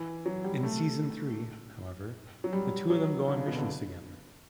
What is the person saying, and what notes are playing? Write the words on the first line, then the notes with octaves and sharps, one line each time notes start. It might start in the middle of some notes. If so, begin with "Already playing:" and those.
In season three, however, the two of them go on missions together.
Already playing: E3
F#3
G3
A3
F#3
G3
F#3
D3
C#3
B2
D3